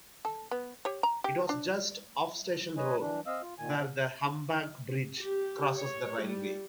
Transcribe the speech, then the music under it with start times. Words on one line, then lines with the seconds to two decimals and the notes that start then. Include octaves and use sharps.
It was just off Station Road where the humpback bridge crosses the railway.
0.25 A4
0.51 B3
0.85 G4 C#5
1.03 A#5
1.24 G4
1.49 D4
2.77 B4 C#5 D#5 G#5
3.00 E3 D4
3.27 C4 D#5 F5 E6
3.42 F4
3.59 A#2 D#3 G#5
3.74 C3
5.19 G4
5.78 C#5
6.22 G3